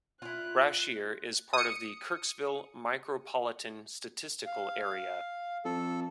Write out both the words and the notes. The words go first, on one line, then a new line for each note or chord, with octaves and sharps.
Brashear is part of the Kirksville Micropolitan Statistical Area.
E4 F4 F#6
D#6 C#7
F5
F2 A4